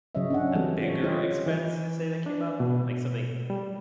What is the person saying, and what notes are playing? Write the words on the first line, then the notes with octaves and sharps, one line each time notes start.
a bigger expense, say, that came up, like something,
C#3 F#3 C#4 C#5 D#5 E5
C#4 D4 F#5
E3 G3 C4 F#4 A4
F4 C#5
E4 F4 G4 C5 C#5 D#5
E3
D4
B2
G3